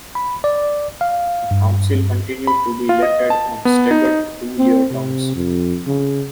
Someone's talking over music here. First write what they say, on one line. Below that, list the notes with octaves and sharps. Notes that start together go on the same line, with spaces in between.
The council continued to be elected on staggered two-year terms.
B5
D5
F5
G2
B5
F4
D#5
A5
B3
D#4
C4
C3
F2
C#3